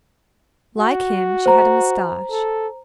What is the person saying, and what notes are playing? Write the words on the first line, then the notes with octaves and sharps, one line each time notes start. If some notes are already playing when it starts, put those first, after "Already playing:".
Like him, she had a mustache.
F#4
C5 A#5
A4